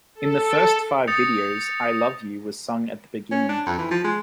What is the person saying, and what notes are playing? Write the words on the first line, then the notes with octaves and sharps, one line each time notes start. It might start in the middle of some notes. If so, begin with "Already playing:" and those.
In the first five videos, "I Love You" was sung at the beginning.
A4
D#6 G6 A6 A#6 C#7 F7
C#4
D4
F2
E3
F3
G#3